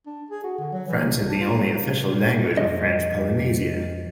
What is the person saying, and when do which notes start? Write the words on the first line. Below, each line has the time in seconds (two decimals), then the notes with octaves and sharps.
French is the only official language of French Polynesia.
0.06 D4
0.30 G#4
0.44 F#4
0.58 D3
0.72 F#3
0.88 E3
1.10 C2
1.28 D4
1.41 F4
1.54 F#3
1.77 C#3
2.04 A#2
2.57 F2 D#5